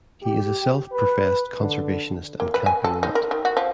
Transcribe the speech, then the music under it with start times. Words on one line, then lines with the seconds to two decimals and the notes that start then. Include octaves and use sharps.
He is a self-professed conservationist and camping nut.
0.23 G4
0.93 B4
1.60 D3
2.40 A#3
2.54 B4
2.66 G#5
2.84 A4
3.03 D#4
3.15 A#4
3.31 D#3
3.45 F#4
3.57 F3